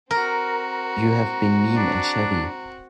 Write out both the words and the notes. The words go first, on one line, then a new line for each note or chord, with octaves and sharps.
You have been mean and shabby.
C4 F#4 A#4 A#5
D4